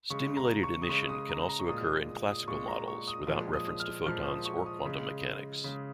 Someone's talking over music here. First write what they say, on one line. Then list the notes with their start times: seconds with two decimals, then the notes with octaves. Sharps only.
Stimulated emission can also occur in classical models, without reference to photons or quantum-mechanics.
0.10 C#3 G#3 C#6
0.37 A#5
0.63 C#6
0.82 D#6
0.89 C#3 G#3 C#6
1.09 D#6
1.29 A#5
1.49 A#5
1.59 C#6
1.69 A#2 G#3 D#6
2.09 D#6
2.28 D#6
2.48 A#2 G#3 C#6
2.68 A#5
2.88 C#6
3.08 D#6
3.27 A#2 F3 G#3
3.54 D#6
3.80 F6
4.06 A#2 F3 G#3 F6
4.26 D#6
4.45 C#6
4.66 D#6
4.85 C#3 G#3
5.64 C#3 G#3